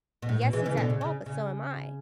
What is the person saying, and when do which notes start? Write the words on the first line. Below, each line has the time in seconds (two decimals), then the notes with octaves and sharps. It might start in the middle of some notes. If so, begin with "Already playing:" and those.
Yes, he's at fault, but so am I,
0.22 B2
0.29 A2
0.42 B2
0.53 E3 G#3
0.66 C#3 E3
0.77 B2 D3
0.90 C#3
1.01 C#3
1.26 C#3